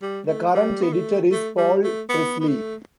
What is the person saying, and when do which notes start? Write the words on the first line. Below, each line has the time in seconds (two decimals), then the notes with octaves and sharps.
The current editor is Paul Presley.
0.02 G3
0.27 A3
0.54 G3
0.82 B3
0.93 A3
1.31 A3
1.57 G3
1.83 A3
2.09 B3
2.40 B3
2.48 A3